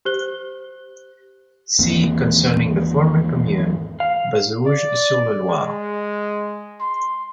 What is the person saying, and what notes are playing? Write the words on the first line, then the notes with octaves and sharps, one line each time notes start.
See concerning the former commune Bazouges-sur-le-Loir.
G4 C5 F#6 G7
G#1 E2 A#3 C4
F5
D5
G#3
C6